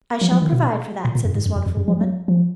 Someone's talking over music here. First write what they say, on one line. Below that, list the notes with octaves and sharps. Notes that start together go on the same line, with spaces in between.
"I shall provide for that," said this wonderful woman.
F3
F3
D#3
B2
A#2
A#2
F#2
G#2
F#2
F2
F2
F#2
F3
F#3
F3